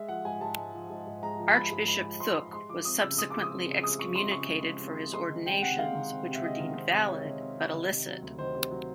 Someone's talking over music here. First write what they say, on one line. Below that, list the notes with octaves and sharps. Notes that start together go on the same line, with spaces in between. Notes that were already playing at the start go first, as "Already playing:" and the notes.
Archbishop Thục was subsequently excommunicated for his ordinations, which were deemed valid but illicit.
Already playing: G#3 E5
F3 F#5
G#2 G#5
G#2 A5
G#3
F3
G#2
G#2
G#3 A#5
F3
G#2 B5
G#2
G#3 B5
F3
G#2 C6
G#2
G#3 C6
F3 D6
C4 D#6
C#3 E6
G#3 D#6
F3 D6
D#6
C4
C#3
G#3 D#6
F3 C#6
C4 C6
C#3 C#6
G#3
F3
C4
C#3
G#3 C6
D#3
C4 G5
C3 F#5
G#3 F5
D#3
C4
C3
E5
G#3 D#5
D#3
C4
C3
G#3 C#5
D#3
C4
C3
D#3
C3
F#3
D2
D#3 C5
C3
F#3